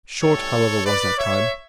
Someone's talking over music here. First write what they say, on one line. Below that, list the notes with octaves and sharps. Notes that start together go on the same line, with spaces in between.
Short, however, was that time.
A2 G3 C#4 A4 C#5
B4 D5
C#5 E5